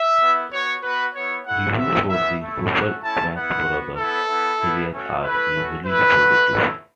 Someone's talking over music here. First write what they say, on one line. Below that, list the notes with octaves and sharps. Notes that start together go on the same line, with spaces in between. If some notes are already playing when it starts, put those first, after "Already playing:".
Reviews for the "Super Smash Brothers" series are usually positive.
Already playing: E5
B3 E4
B3 F#4 C#5
B3 F#4 B4
B3 E4 C#5
A3 E4 F#5
B3 F#4 E5
B3 E4 E5
A3 E4
A3 C#4 F#4
A3 C#4 E4 A5
B3 E4 F#5
B3 F#4
B3 E4 A4
B3 E4
B3 E4
A3 C#4 F#4
A3 E4 B4
A3 C#4 F#4
A3 E4 B4
A3 F#4
A3 E4